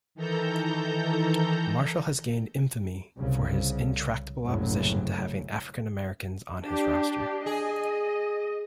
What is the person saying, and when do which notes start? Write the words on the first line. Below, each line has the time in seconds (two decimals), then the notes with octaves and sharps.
Marshall has gained infamy for his intractable opposition to having African-Americans on his roster.
0.15 D#3 E3 A4 A#5 G6
3.17 C2 C#3
4.45 F#1 C2 F#2 A2 C#3 F#3
6.65 D4 G4
7.46 G#4 D#5